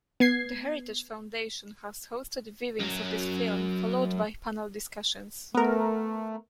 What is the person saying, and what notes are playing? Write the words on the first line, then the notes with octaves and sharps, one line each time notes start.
The Heritage Foundation has hosted viewings of this film, followed by panel discussions.
B3 G#6 C7
F#2 F#3
A3 B3 A#4